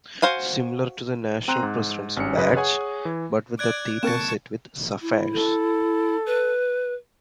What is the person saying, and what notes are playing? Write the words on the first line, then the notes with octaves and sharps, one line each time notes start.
Similar to the National President's Badge, but with the Theta set with sapphires.
F#4 C5 F5 G#5
C4 G5 A#5 C6 F#6 D#7
G#2
G#1 G2 C#4 C#7
F#2 C#3 B4 D#5
G#4 C#5 F#5 G#5 G#6
E3
D5 F#6 G#6 D7
A#3 C4 A#4 A5 C#6 E7
E4
A4
B4